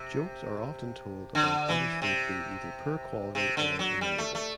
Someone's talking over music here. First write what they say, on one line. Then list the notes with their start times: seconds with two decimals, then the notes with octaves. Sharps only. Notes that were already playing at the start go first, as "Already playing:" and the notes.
Jokes are often told about British food being either poor quality or inedible.
Already playing: C3
1.35 D3
1.69 E3
2.02 C3
3.35 C3
3.57 D3
3.79 F#3
4.01 G3
4.18 A3
4.35 A3